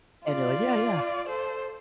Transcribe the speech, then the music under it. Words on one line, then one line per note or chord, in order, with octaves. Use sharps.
and you're like, "Yeah, yeah,
F4 D5
A4 C5